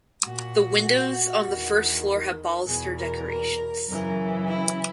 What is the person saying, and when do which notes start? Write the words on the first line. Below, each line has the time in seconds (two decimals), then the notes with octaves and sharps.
The windows on the first floor have baluster decorations.
0.24 A#2 F#4
1.46 E2 D#3
2.66 E2 B2 G#4
2.96 A#4
3.27 A#4
3.87 F#2 C#3 E3 A#4
4.48 E4